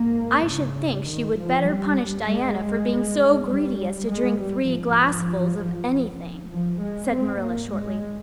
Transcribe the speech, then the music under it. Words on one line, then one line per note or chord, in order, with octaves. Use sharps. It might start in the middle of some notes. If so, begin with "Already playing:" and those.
"I should think she would better punish Diana for being so greedy as to drink three glassfuls of anything," said Marilla shortly.
Already playing: G#2 A#3
C#3
D#3
F3
G2 G3
G#3
G3
G#2 G#3
G3
F3
G#2 F3
G#3
C4
A#3
G#3